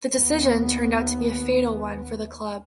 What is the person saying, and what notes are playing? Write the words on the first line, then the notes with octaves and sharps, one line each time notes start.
The decision turned out to be a fatal one for the club.
D#2 B3